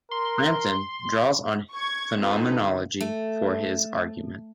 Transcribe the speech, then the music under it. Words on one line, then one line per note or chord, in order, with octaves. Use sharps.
Frampton draws on phenomenology for his argument.
A#4 C6
C#6 G#6
B3 C4 D#4 F4 A4 B4
D3
A3